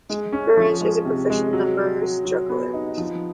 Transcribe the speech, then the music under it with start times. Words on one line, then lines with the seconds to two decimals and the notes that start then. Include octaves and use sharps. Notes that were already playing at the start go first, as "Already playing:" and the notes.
Burrage is a proficient numbers juggler.
0.09 G#3
0.32 C#4
0.57 F3
0.81 G#3
1.05 C3
1.30 G#3
1.53 F#3
1.78 F#3
2.02 F#3
2.25 F#3
2.49 B3
2.73 D#4
2.98 F3